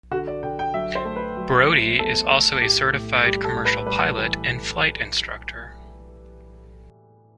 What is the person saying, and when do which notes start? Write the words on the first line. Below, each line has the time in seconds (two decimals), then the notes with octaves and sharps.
Brody is also a certified commercial pilot and flight instructor.
0.11 D3 F#4
0.27 D5
0.43 D3 G5
0.59 G5
0.74 F#3 E5
0.95 C5
1.05 A3
1.16 B4
1.37 F#3
1.68 A3
1.99 E2 A4
2.30 A3
2.61 A2 G4
2.92 A2
3.24 G3 G4
3.44 A4
3.55 A2
3.65 B4
3.86 G3 B4
4.18 E3